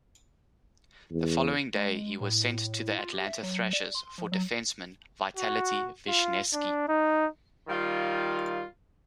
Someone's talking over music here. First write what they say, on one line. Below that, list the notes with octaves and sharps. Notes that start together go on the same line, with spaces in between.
The following day, he was sent to the Atlanta Thrashers for defenceman Vitaly Vishnevski.
E2
G#3
A2
F4
G4
E5
F#3
D5
C6
F3
F#3
F#4
F4
D4
D#4
D#3 G3 F4